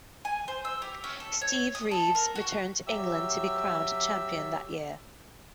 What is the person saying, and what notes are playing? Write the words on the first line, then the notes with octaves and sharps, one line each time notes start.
Steve Reeves returned to England to be crowned champion that year.
G#5
C5
E6
G4
C#4
A4
C#5
D#6
A4
A#4
F#4
F#3 G4 E5 E6